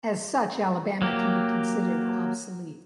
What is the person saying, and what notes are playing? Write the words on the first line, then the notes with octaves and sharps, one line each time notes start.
As such, Alabama can be considered obsolete.
F#3 A#3 G4